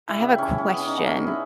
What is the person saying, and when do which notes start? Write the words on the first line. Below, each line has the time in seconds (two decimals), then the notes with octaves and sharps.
I have a question.
0.08 E4
0.19 C#3 G3 G4
0.38 C#4
0.58 C#4
0.68 B3
0.78 C#4
0.87 D#4
0.97 B3
1.07 C#4
1.17 D#4
1.27 E4